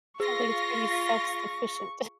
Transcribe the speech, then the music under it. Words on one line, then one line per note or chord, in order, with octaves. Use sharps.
Sounds like it's pretty self-sufficient.
F4 G#4 C#6 A#6